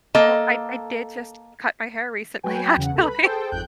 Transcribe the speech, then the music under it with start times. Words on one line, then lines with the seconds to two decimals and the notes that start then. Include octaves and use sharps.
Oh, I I did just cut my hair recently actually.
0.15 A#3 A4 D#5
2.43 F#3 F#4 B4 G5 G#5
2.77 E2 C#3 F#5
2.93 C2 A4
3.04 B4 B5
3.23 G#4 A4 C5 G5 A5
3.51 G#1 F2 G5 F#6 G6